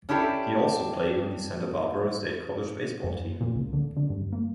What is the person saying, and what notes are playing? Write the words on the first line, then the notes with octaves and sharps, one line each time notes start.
He also played on the Santa Barbara State College baseball team.
C#4 D4 E4 G4 A4
F#2
A#2
C#2
D3
D3
G2
A#3